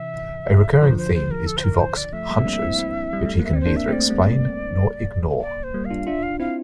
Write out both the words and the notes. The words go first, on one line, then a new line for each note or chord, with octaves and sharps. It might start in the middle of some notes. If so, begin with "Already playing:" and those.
A recurring theme is Tuvok's "hunches", which he can neither explain nor ignore.
Already playing: C3 E3 E5
D3 F3 C5
C5
C5
A#4
A4
C5
A#4
C5
D5
F3 A3 E5
G3 A#3
C4
A#3 D4
C4 E4
C4 E4
G3
A3
A#3
E5
C4 D5
C5
A#3 D4
E5
A3 C4 D5
G3 A#3
D5
C5
G3 A#3
F5
D4 F4
D4 F4 E5
F5
C4 E4 F5